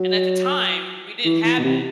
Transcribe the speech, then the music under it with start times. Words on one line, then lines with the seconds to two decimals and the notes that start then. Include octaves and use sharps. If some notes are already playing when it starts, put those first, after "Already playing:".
and at the time we didn't have it.
Already playing: F#3
1.25 E3
1.44 E3
1.59 B2
1.64 C3